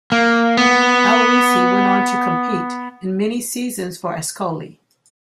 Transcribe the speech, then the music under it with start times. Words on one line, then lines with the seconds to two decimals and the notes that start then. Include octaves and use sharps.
Aloisi went on to compete in many season for Ascoli.
0.12 A#3
0.57 B3